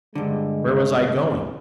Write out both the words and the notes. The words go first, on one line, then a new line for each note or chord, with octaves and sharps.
Where was I going?
G2 D3 G#3